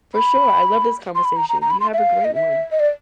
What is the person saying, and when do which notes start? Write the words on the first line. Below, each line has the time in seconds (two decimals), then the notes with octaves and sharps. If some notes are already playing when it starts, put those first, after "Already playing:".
For sure, I love this conversation. You have a great one.
0.15 B5
1.15 C6
1.25 B5
1.37 A#5
1.49 A#5
1.62 A#5
1.71 B5
1.80 C6
1.93 E5
1.98 F5
2.25 D#5
2.35 E5
2.71 D#5
2.80 D5